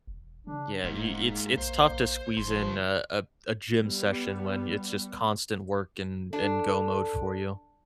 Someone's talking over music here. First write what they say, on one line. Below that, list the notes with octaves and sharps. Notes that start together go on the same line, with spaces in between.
yeah, you it's it's tough to squeeze in a a a gym session when it's just constant work and and go mode for you.
E1
C#3 D4
D#1 G#2 A#3
A#1 C5
A#1
F#1 C#2 F3 C6
G3 B3
D4 A4